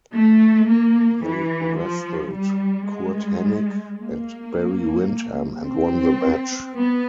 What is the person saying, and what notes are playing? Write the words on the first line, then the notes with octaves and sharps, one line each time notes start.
They wrestled Curt Hennig and Barry Windham and won the match.
A3
A#3
E3
F3
G3
G#3
A#3
C4
B3